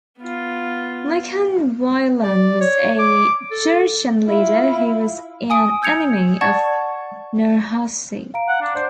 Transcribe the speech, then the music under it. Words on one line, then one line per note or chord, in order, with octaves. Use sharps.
Nikan Wailan was a Jurchen leader who was an enemy of Nurhaci.
B3 F4
D5
C#5
D6
A4
E4 F4
G#5 D#6 D7
E6 G6 G#6 C#7 F7
D5 F#5 A5 C#6 G#6 A6
F5 A#5 D7
F#5
D4
C5 D5